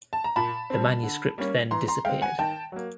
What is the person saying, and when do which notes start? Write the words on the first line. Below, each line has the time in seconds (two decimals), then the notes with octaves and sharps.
The manuscript then disappeared.
0.13 A5
0.24 A#5
0.36 A#2 A5 B5
0.70 G3 C4
1.03 D3
1.38 G3 A#3 C#4
1.71 E3 A#5 C6
1.88 A#5 C6
2.05 G#3 C4 F5 G5
2.22 F#5 G#5
2.39 D#3 G5 A5
2.72 F#3 A#3